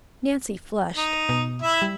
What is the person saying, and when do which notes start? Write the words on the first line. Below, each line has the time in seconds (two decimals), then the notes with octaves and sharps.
Nancy flushed.
0.96 D#4
1.29 B2
1.62 E4 E5
1.82 G3